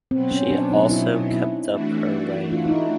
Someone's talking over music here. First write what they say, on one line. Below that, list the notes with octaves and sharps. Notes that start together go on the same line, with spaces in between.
She also kept up her writing.
B2 F#3 B3 C4
C#4
D4
D#4
E4
E4
E3 A3 D4 F#4
F4
D#4
E4